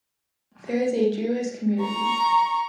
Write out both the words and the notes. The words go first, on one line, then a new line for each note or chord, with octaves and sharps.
There is a Jewish community.
A#5 C#6